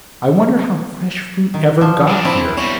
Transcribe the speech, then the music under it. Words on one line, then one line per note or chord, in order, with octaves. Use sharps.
I wonder how fresh fruit ever got here.
D#3
F3
C#3 D4
C4 E4
B2 G3 C#4